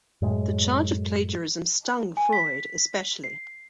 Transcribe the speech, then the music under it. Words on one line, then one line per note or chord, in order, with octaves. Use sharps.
The charge of plagiarism stung Freud especially.
F#2 A2 G#3
G#5
B6
C7